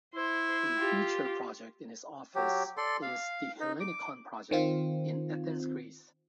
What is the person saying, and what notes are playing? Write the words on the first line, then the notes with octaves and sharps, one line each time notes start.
A feature project in his office is The Hellinikon Project in Athens Greece.
E4 C5
F4 G4
F#3 G4
A4 D5 C6
F5
D#4
D6
D#3 C4 F4